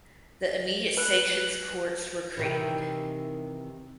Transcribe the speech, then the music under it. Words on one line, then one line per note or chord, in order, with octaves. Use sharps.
The immediate sanctions courts were created.
B4 F#6
C3 D#3 E3